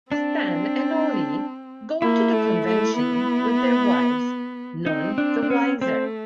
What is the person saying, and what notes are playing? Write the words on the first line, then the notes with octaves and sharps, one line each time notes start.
Stan and Ollie go to the convention, with their wives none the wiser.
C4 D4
A#3 E4
A3
A3
B3
C4 D#4
D4
D4
C#4
A3 C4